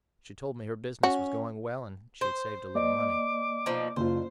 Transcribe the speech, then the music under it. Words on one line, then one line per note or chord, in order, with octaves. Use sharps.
She told me her business was going well, and she had saved a little money.
C#4 F#4
C5
A#3 D5 D#5 D6
B2 F3 D#4
F#1 F4 C5